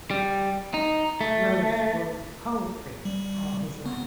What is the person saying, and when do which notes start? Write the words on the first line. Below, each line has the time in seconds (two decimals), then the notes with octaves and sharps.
Rowse wrote poetry all his life.
0.11 G3
0.74 D#4
1.21 A3
3.05 G3
3.86 B3